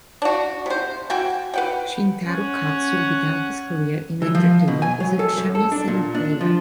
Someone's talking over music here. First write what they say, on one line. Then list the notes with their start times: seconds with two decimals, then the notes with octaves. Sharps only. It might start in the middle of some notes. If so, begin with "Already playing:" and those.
Shintaro Katsu began his career in entertainment as a shamisen player.
0.22 D4 F#4
0.66 C3 C5
1.10 F#4 G5 G#5
1.54 B4 F#5 G5
2.27 C#4 F#5
4.22 E3
4.35 F3
4.68 B2
4.82 G#5
5.00 F#3
5.19 A4
5.37 F#2
5.55 A4
5.72 D4
5.88 A#2
6.15 D4
6.41 F3